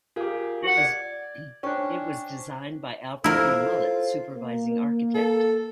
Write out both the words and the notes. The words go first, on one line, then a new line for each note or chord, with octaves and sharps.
It was designed by Alfred B. Mullett, Supervising Architect.
F4 G4 G#4 A#4 F5
D5 G#6
C#4 D4 C5 G5 C#6
E4 F4 A4 A#4 C5
A#3
A4